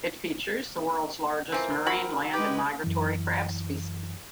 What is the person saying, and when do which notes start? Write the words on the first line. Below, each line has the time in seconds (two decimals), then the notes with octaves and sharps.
It features the world's largest marine, land and migratory crab species.
1.52 E3 F3 C4 A#4
1.86 F#4 B5
2.33 G#3 G4 B4 D6
2.84 F#2 E3